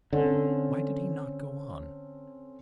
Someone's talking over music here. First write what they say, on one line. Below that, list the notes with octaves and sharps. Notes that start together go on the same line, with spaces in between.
Why did he not go on?
D3 C4 C#4 A4